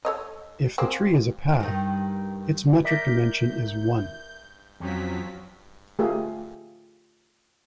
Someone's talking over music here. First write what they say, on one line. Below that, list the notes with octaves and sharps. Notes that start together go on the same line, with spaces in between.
If the tree is a path, its metric dimension is one.
A4 C#5 D#5
A#3 C4 G#4
G2 D#3
A#4 D5 E5 G6
F2 F3 F#3 C#4 B6
A3 F4 G4 G#4 A#4